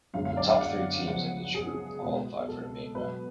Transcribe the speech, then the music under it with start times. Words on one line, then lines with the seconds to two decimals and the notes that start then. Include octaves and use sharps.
The top three teams in each group qualified for the main round.
0.14 F#2 D3 G#3 B3 F5
0.25 F5
0.37 D5
0.49 F5
0.60 F#5
1.07 C#3 F3 B3 F#5
1.54 G#4
2.01 B2 G#3 B3
2.49 A4
2.95 B2 F#3 B3 B4